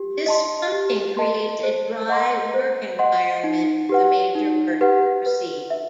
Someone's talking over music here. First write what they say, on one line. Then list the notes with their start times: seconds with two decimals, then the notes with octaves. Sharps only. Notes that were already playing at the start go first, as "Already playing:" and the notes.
This pumping creates a dry work environment for the major work to proceed.
Already playing: G4
0.26 D#5 A5 C6
0.72 G4
1.17 D#5 A5 C6
1.63 C5
2.09 D#5 F#5 C6
2.54 C5
2.99 D#5 F#5 C6
3.44 D#4
3.89 G4 B4 F#5
4.35 D#4
4.81 G4 B4 F#5
5.26 B4
5.70 E5